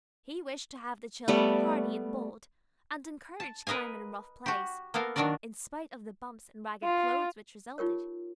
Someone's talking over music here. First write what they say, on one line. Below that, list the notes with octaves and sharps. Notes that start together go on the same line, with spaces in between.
He wished to have the children hardy and bold, and encouraged climbing and rough plays, in spite of the bumps and ragged clothes which resulted.
G3 A3 B3
A5
A#4 B4 D#5 F5 G#5
F#4 G4
A#3 B3 A4 A#4 F5
D#3 F#3 D4 F#4 A#4 D5
F4
D#4 F4 G4 A#4 C#5